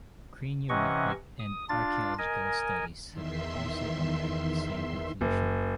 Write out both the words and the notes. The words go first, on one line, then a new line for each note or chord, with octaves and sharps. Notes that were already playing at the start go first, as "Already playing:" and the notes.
Craniometric and archaeological studies have also arrived at the same conclusion.
C3 E3 C#4 D#5 F#5 C#6
D#6
D4 F4 A6
A#4 D#5 G#5
E2 D#3 E5 C6
F#1